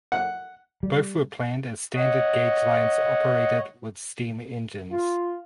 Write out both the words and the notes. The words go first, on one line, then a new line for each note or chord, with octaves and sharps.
Both were planned as standard gauge lines operated with steam engines.
F#5
G3
C#5 D#5 F#5
F4